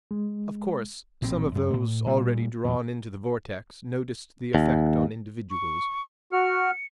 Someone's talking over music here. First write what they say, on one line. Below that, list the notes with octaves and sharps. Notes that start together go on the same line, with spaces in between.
Of course, some of those already drawn into the vortex noticed the effect on individuals.
G#3
A#1 A2 C4
F#2
A2
A#2 G3
E2 A#2
D#2
C#6
F#4 F6 C#7